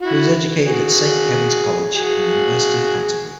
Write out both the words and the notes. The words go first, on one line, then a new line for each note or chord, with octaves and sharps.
He was educated at Saint Kevin's College and University of Canterbury.
E4 F#4
F#4 G#4
F#4 G#4